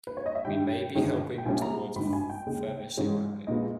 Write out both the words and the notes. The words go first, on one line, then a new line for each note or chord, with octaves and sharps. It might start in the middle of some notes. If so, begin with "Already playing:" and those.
We may be helping toward furnishing the home.
B4
C#5
D#5
E5
G2 D#3 G3 G5
G1 G2 D#3 G#3 C#4
G5
A#1 A#2 G3 A#3 C#4 G#5
A#5
G#1 G2 D#3 B5
G#5
G5
D#2 C#3 G#3
G#2 E3 G#3 C#4
A#1 A#2 G#3 B3 D#5